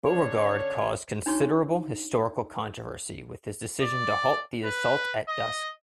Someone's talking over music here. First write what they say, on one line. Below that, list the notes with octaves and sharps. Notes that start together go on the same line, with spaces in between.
Beauregard caused considerable historical controversy with his decision to halt the assault at dusk.
D3 C#4 D4 C#5
D4 D#4 F#4 C#5 C#6
D5
B4
D#5